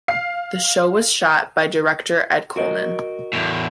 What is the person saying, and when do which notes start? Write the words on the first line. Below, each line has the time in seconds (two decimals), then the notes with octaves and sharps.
The show was shot by director Ed Coleman.
0.08 F5 C7
2.56 F#4 A#4 D#5
3.33 E2 A2